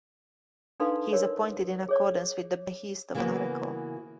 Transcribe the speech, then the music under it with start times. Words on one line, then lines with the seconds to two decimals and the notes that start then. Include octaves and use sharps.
He is appointed in accordance with the behest of an oracle.
0.80 D4 D#4 A4 B4 F5 C6
1.12 A#4 C#5 D5
1.89 G#4 C#5 D5
3.15 C#3 E3 A#3 B3 F#4 B4